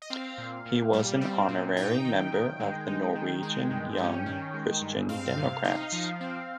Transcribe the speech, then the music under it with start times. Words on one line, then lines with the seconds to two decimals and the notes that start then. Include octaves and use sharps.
He was an honorary member of the Norwegian Young Christian Democrats.
0.02 D#5
0.10 C4 F5
0.38 A#2
0.66 A#2
0.93 G3
1.21 C4
1.48 A#2
1.77 D#4 G5
2.04 D#3
2.32 D#3
2.60 G#3
2.87 D#4
3.15 D#3
3.43 G#3
3.70 G2
3.98 C#4
4.26 D#3
4.54 G#3
4.81 G2
5.09 C4 F5
5.37 C3
5.64 D#4
5.92 F3
6.20 C4